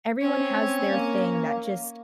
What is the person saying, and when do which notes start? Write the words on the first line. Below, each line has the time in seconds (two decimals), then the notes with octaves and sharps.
everyone has their thing that just
0.22 C4 C#4
0.88 A#3